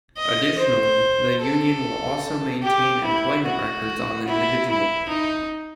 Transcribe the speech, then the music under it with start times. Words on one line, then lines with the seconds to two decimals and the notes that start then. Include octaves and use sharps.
Additionally, the union will also maintain employment records on the individual.
0.18 D#5
0.59 C5
1.40 A4
2.63 G4
3.04 E4
3.45 F#4
4.28 E4
4.68 E4
5.09 D#4